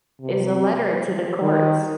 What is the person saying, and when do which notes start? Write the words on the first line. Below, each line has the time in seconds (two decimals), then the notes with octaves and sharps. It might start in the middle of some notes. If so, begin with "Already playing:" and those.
is a letter to the courts.
0.21 C3
1.42 D#3